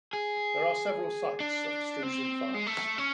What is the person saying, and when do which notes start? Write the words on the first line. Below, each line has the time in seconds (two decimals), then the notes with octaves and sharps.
There are several sites of Etruscan finds.
0.13 G#4
1.40 D4
2.03 C4
2.54 G#3
2.67 A3
2.98 C#4